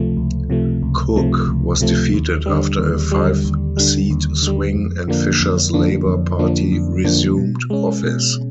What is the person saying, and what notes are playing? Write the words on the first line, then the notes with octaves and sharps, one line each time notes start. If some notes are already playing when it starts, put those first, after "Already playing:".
Cook was defeated after a five-seat swing, and Fisher's Labor Party resumed office.
Already playing: C#2 C3 F3 A3
C#2
C3 F3 A3
C#2
C3 F3 A3
C#2
C3 F3 A3
D#2
D3 G3
D#2
D3 G3
D#2
D3 G3
D#2
D3 G3
F2
D3 F3 A#3 D4
F2
D3 F3 A#3 D4
F2
D3 F3 A#3 D4
F2
D3 F3 A#3 D4
B2
G#3 C#4
B2